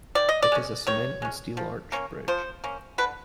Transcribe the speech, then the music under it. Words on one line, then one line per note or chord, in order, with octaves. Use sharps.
It is a cement and steel arch bridge.
D#3 D5
D#5
D5
G#3 C#4
D#3 C#5
G#3 C#4
F3
A#3 C#4
F3 C5
A#3 C#4
D3 B4